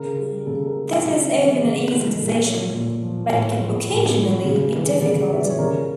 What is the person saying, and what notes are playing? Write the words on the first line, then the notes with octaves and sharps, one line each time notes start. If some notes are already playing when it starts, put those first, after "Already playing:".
This is often an easy decision, but it can occasionally be difficult.
Already playing: C#3 A#4
G3
C#3 A4
A#4
G3
C#3
E3 G3
C#3
E3 G3
A#2 A4
A#4
A4
F3 C#5
A#2
F3
A2 C#5
F3
A2
F3
C#3
E3 G3
C#3 D5
E3 G3 E5
D5
C#5
C#3 A#4